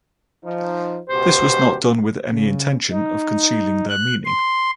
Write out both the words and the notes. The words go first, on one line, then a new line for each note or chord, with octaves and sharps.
This was not done with any intention of concealing their meaning.
F3 D#4
C#2 B2 G4 C5
C#3
D#4
F#6
C6